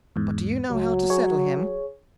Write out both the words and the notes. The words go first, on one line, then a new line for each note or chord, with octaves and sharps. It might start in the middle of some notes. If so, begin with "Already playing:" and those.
'But do you know how to settle him?
E2 G#2
C#2 F#3
G#4 C#5